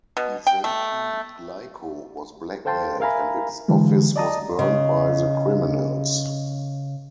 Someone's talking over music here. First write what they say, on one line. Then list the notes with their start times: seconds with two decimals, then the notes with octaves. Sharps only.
Ezaki Glico was blackmailed and its office was burned by the criminals.
0.17 B2
0.47 G5
0.64 A3
2.65 A4 C5 F5 G5 A5 C6
3.00 A#4 E5 F5 G#5 A#5 B5
3.68 D3 E3 F#3 G#3
4.16 D5 D#5 A5 A#5 D#6
4.59 C#3 D#5